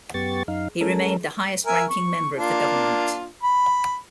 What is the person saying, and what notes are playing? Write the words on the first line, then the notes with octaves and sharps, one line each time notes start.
He remained the highest-ranking member of the government.
F#2 B3 G4 C#6 A6
F#2 D#4 F5
G#3 C#4 A4 A#4
A#4 E5 G#5
C#6
A#3 D4 F4
B5